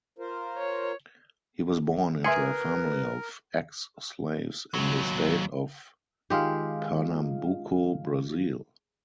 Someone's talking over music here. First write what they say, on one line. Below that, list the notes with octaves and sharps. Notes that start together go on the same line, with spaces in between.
He was born into a family of ex-slaves in the state of Pernambuco, Brazil.
F4 A#4 C5
C#5
G#4 A#4 B4 E5 C6 C#7
D#2 F#3
D#3 G#3 F4 G4 F5